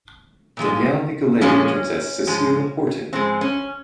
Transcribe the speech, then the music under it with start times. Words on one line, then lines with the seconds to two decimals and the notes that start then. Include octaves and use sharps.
Danielle Nicolet returns as Cecile Horton.
0.57 A#2 F3 G#3
1.41 A#2 F3 G#3 C#4
2.27 G#2 F3 G#3
3.13 G#2 F3 G#3 C4
3.41 C#4